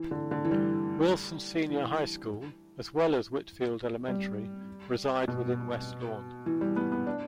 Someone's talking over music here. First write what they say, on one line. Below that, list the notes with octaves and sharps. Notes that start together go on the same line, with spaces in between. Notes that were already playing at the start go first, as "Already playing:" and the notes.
Wilson Senior High School, as well as Whitfield Elementary reside within West Lawn.
Already playing: E3
D3
D3
E3
G3
E3
G3
B2
E3
G3
B3
B3
D4